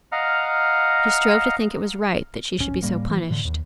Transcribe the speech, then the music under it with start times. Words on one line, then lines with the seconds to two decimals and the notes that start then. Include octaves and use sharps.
She strove to think it was right that she should be so punished.
0.12 D#5 F5 F#5 A#5 F6
2.58 D1 G#1 C#4
2.83 A2 G3 A#3
3.10 E3
3.30 A2 D3
3.45 D#2